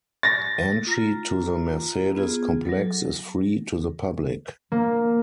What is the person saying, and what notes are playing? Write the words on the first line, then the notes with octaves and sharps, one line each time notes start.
Entry to the Mercedes complex is free to the public.
A6 A#6
F4 A#5
B3 F4 G#4
F#3 A4
A#3